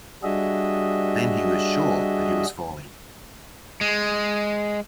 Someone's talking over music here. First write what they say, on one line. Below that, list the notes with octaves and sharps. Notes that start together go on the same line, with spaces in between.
Then he was sure that he was falling.
G3 D4 F#4 G#4 D#5 E5
G#3